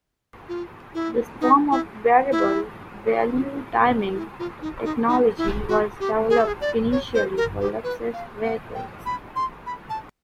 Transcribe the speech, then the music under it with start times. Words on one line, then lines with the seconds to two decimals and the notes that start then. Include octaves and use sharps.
This form of variable valve timing technology was developed initially for Lexus vehicles.
0.48 F4
0.94 E4
1.41 D#4
1.71 E4
2.31 E4
4.16 E4
4.39 F4
4.62 D#4
4.84 D#4
5.08 D#4
5.38 E4
5.69 F#4
6.00 G4
6.30 G#4
6.39 A4
6.47 G#4
6.61 D5
6.92 C#5
7.14 C5
7.37 A#4
7.61 G4
7.84 B4
8.13 F5
8.44 F#5
8.75 G5
9.06 B5
9.36 C6
9.66 B5
9.90 A5